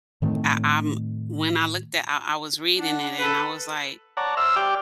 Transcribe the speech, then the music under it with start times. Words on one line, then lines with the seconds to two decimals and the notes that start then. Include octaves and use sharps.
I, um when I looked at I I was reading it and I was like,
0.22 A2 D#3 A3 C4
2.77 D4 F#5
3.18 A4 B4
4.17 C#5 D5 F#5 A5 A#5
4.37 C5 E5 E6 F6
4.56 G4 D5 G5 D6